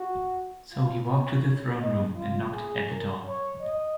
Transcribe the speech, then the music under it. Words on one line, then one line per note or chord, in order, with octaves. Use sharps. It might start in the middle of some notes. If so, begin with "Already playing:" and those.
So he walked to the Throne Room and knocked at the door.
Already playing: F#4
F4
C#5
D#5
F4
G#4
A#4
C#5
D#5